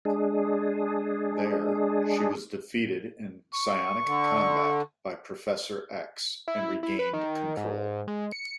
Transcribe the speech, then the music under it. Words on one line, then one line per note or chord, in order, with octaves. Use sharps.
There, she was defeated in psionic combat by Professor X, and regained control.
G#3 D4 G#4
C#6
D3
E4
E4
B4
D#3
G#2
G#3
C#7